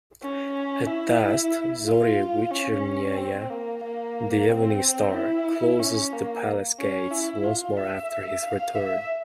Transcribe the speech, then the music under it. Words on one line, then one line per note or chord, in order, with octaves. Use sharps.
At dusk, Zorya Vechernyaya—the Evening Star—closes the palace gates once more after his return.
C#4
E4
F4
C#4
C4
A#3
A#3
C4
E4
C#4
A#3
C#4
E4
F4
E5
F5
E5